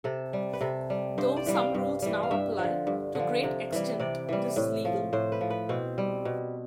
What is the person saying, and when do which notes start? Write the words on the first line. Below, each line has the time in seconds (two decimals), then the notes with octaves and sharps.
Though some rules now apply, to a great extent this is legal.
0.04 C3 A4
0.33 G3
0.53 B4
0.61 C3 A4
0.90 G3
1.18 G2 C5
1.36 D5
1.46 E3 G3
1.55 F5
1.75 G2
2.02 E3 G3
2.23 F5
2.31 G2 E5
2.59 D3 F3
2.87 G2
3.15 D3 F3
3.43 C3
3.72 E3 G3
4.00 C3 D5
4.29 E3 G3
4.56 A2
4.85 F3
5.13 A2 C5
5.32 B4
5.41 F3
5.50 B4
5.69 B2 C4
5.98 G3
6.25 B2